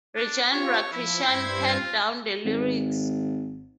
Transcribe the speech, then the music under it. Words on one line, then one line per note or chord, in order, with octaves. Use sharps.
Rajendra Krishan penned down the lyrics.
D4
C4 F4 G4 C#5
F3 E4
G2 C5 G#6
F4
G#1